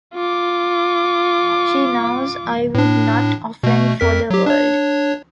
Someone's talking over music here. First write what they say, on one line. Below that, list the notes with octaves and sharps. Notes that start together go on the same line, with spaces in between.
She knows I would not offend for the world.
F4 D6
A2 D4
B2 A3
F2 A#4 B6
F#3 G4
D4 C#5